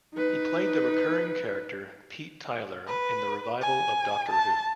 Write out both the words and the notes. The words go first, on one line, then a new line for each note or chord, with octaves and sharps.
He played the recurring character Pete Tyler in the revival of "Doctor Who".
D#4 B4
B4
G#5
A5